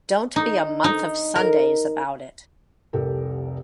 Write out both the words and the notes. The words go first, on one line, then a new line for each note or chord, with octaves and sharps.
Don't be a month of Sundays about it.
D#4
D#4
A#4
F1 C2 G4 A4 A#4